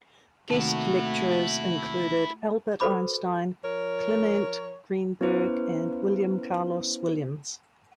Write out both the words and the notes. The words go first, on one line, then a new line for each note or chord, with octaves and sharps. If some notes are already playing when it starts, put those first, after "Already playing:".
Guest lecturers included Albert Einstein, Clement Greenberg, and William Carlos Williams.
D#2 C3 D#3 A3 E4 F#4 A5
F#4 A4 B4 C5 B5 D6
F3 A#4 C#5
B3 C#4 E4 B4 C5